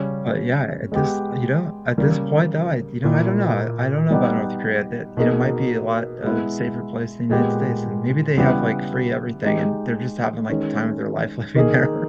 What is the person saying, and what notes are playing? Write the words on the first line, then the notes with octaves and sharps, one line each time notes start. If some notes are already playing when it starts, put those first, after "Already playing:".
Oh, yeah, at this Oh, you know, at this point though, I you know, I don't know. I don't know about North Korea that you know, might be a lot, uh, safer place in United States, and maybe they have, like, free everything, and they're just having, like, the time of their life living there,
Already playing: C#3 G3 C#4
G#3 B3 G4
C#3 G3 A#3
A#2 A#3 E4
G3 B3 D#4 G4
B2 A#3 D#4 G#4
G#3 B3 E4
A#2 G#3 B3 G4
C#3 G3 B3 E4 G4
G#3 D#4 G4
D#3 G#3 C#4
D#3 A#3 D#4 G#4